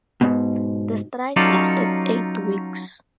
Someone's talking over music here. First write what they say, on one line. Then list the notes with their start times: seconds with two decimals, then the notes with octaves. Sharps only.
The strike lasted eight weeks.
0.21 G#2 B2
1.36 F#3 C#4 D#4 F4 A4 D5